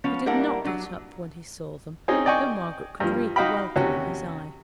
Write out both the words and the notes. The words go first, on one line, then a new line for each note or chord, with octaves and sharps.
He did not get up when he saw them, though Margaret could read the welcome in his eye.
F3 B3 C#4
G3 A#3 D4 E4 A#4 F#5
F#3 D4
C4 C#4 D#4 G#4
D5 D#5 G5 G#5 C#6
G2 F3
D#4 F#4 D#5 F5 G5 B5
D#2 C3 C#4 F#4